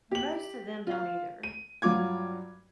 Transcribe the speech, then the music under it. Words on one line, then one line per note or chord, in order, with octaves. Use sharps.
Most of them don't either.
G4 F#7
F4 F5
D#7
G2 F#3 F4 D6 G#6